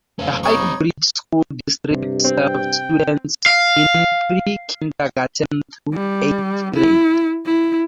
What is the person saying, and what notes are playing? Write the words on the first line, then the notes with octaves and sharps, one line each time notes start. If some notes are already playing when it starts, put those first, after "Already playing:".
The High Bridge School District serves students in pre-kindergarten through eighth grade.
F#1 A3 C#4 F5
G3 C4 D#4 C#5 C#6
G2 C3
C4 G5
F5
G3
E4
E4